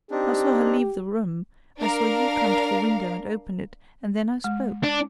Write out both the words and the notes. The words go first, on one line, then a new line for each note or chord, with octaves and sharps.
I saw her leave the room; I saw you come to the window and open it, and then I spoke.
C4 D4 D#4 G4
D4 A#4 F5
G#3
D4